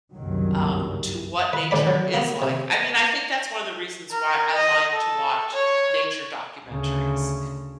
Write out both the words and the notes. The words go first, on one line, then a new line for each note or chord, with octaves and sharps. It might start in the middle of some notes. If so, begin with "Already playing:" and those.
um, to what nature is like I mean, I think that's one of the reasons why I like to watch nature documentaries.
F#1 C2 G2 C3 D#3 F#3
B4
A1 D2 D5 B5
F#3
A#3 B3
C3
A#4
D#5
A4
C#5
D2 C#3